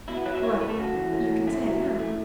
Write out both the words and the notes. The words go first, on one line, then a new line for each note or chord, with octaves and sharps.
"Well;--you can say it now."
B2 E4
B3
F#3 B4
E5
A2 C#5
A3 B4
A4
C#3 F#4
E3
A2
E3
C#3 E4
F#3
E3
A3